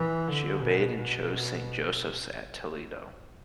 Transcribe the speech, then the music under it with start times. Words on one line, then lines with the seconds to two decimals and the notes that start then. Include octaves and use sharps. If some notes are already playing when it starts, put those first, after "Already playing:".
She obeyed and chose Saint Joseph's at Toledo.
Already playing: E3
0.28 D3
0.61 B2
0.96 B2